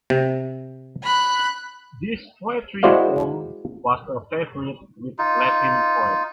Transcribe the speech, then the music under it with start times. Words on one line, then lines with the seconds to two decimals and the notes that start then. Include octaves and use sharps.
This poetry form was a favorite with Latin poets.
0.10 C3
1.03 B5 F#6
2.83 G#3 E4 F#4 C5 D5 F5
5.19 D#4 F4